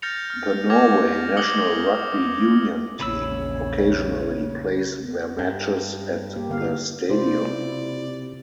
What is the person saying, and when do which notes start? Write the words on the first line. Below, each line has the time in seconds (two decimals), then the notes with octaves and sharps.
The Norway national rugby union team occasionally plays their matches at the stadium.
0.02 F6 G6 A6 A#6 C#7 F7
0.30 F6
0.70 D6 F6 G#6 A#6 F7
1.37 D6 D#6 C#7 F#7 G7
3.00 A#1 E2 C#3 C#5 B5 E6
5.39 G2
6.36 A#3 G4
6.50 D3 F5
7.10 C3 E4 F4 C5 D5